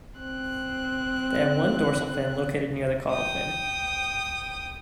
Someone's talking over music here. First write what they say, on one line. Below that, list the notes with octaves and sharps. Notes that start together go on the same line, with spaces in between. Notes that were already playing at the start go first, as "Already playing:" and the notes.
They have one dorsal fin located near the caudal fin.
C4 F#6
G5 D#6